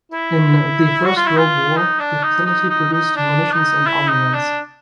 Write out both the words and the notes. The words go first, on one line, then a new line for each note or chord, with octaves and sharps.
In the First World War the facility produced munitions and armaments.
E4
F#4
F4
E4
F4
D#4
D4
D#4
D#4
D#4
D#4
D4
D#4
E4
D#4
D4